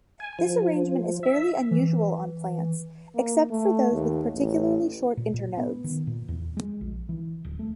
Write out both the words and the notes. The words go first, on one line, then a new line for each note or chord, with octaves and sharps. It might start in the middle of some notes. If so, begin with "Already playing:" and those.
This arrangement is fairly unusual on plants except for those with particularly short internodes.
G#5
F3
E5
E3
A#3
A3
D#2
A1
A#2
A#2
B3
D#3
A#2
E2
G#3
A#1
E3
D1
A3